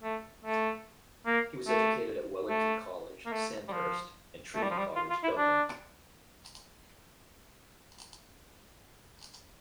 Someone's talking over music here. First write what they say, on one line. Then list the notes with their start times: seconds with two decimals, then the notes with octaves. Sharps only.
He was educated at Wellington College, Sandhurst and Trinity College, Dublin.
0.03 A3
0.45 A3
1.26 A#3
1.67 A3
2.49 A3
3.26 A#3
3.32 A3
3.68 G3
3.72 F3
4.55 A3
4.63 G3
4.70 F3
4.78 G3
4.96 F4
5.10 F4
5.23 E4
5.37 D4